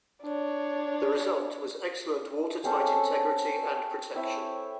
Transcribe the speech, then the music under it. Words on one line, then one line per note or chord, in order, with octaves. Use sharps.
The result was excellent watertight integrity and protection.
D4 C#5
G#3 C4 C#4 A4
A4
C4 E4 C#5 E5